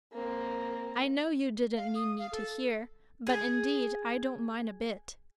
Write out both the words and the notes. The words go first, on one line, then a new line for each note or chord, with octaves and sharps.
I know you didn't mean me to hear, but indeed I don't mind a bit.
A#3 C4
F5
D#6
F5
A4
G#4 G#5